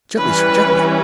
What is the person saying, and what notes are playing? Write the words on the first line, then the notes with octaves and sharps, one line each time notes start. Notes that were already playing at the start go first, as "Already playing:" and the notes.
Gently, sir, gently!
E3 G3 C#4 B4